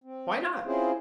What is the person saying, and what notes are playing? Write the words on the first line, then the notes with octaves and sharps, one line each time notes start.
"Why not?"
C4
F4
C4 C#4 E4 F4 G#4 C5